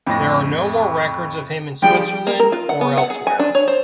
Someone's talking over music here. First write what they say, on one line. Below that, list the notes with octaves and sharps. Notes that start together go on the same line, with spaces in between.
There are no more records of him in Switzerland or elsewhere.
F2 A2 A#6
F3 G3 G#4 G5
A#3
A#4
F4
F#5
B3
F#5
G#4
G#5
D4
C#5
C5